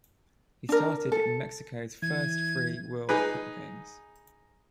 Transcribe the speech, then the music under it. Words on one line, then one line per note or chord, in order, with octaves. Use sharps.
He started in Mexico's first three World Cup games.
D4 A#4
A4
E3 G#6
D#4 G#4 B4